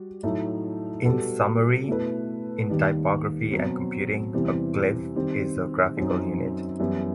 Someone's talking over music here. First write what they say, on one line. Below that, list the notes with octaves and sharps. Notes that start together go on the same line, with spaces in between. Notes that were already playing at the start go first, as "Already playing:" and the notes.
In summary, in typography and computing, a glyph is a graphical unit.
Already playing: G3 F#4
A2 F#3 A3 D#4
B2 G3 B3 F#4 A4
B2 A3 E4 B4
D#2 D#3 G3
B2 F#3 C4
E2 C3 E3 G3 C4
D#3 G3 C4
F#2 F#3 C4 D#4
F#2 E3 G3 B3 E4